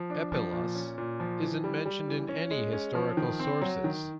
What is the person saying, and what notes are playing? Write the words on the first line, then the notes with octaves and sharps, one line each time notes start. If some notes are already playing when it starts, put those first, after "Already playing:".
Eppillus isn't mentioned in any historical sources.
Already playing: F3
D4
F3
A#2
C#4
A#2
F3
E3
G3
G3
E3
C#4
G#3
C#4
F3
D#3
C4
F#3
D#3